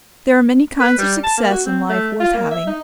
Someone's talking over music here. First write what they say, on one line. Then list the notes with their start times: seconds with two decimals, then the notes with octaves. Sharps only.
There are many kinds of success in life worth having.
0.80 B4
0.98 G3
1.24 A5
1.37 A#3
1.50 F#4
1.65 C4
1.89 A3
2.20 F4
2.34 A#3
2.51 E5
2.67 D#4